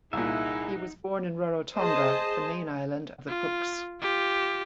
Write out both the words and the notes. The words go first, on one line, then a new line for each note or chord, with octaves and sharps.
He was born in Rarotonga, the main island of the Cooks.
C2 A#2 D#4 E4 G#4 E5 F#5
G#4 C5 D#5 A5
F4
F4 G4